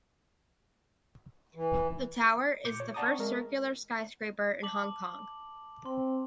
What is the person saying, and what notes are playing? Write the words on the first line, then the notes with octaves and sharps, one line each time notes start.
The tower is the first circular skyscraper in Hong Kong.
E3
A#2 D6 G6 C#7
C#5
D5 F#5 A5 A#5 D6 D#6
C4 C#6
G#3 A#4
A5 D6 F#7
C4 C6